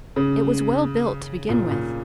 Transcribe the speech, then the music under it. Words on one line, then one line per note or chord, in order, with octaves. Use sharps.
It was well built to begin with.
C#3
A#2
A#2